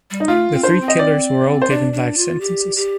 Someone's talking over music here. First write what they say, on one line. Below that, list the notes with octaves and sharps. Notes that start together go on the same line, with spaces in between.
The three killers were all given life sentences.
G3
D#4
A3 F4
C4
D4 C5
C4
D#5
D5
C5
D4 D5
D4
F4
G4
G4